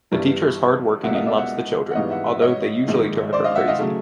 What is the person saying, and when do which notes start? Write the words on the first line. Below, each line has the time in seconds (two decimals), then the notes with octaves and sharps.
The teacher is hard-working and loves the children, although they usually drive her crazy.
0.11 G1 G2 E3 G3
1.03 C#2 B2 G3 A#3 E5 F#5
1.15 D#5 F5
1.26 D5 E5
1.38 E5 F#5
1.91 F#5
1.95 G#1 G#2 E3 G3 B3 D#5 F5
2.10 E5 F#5
2.26 E5 F#5
2.41 C#5 D#5
2.88 A#1 G#2 D#3 G#3
3.33 C5 D5
3.44 D#5 F5
3.55 E5 F#5
3.68 D#5 F5
3.79 C#3 F#3 A3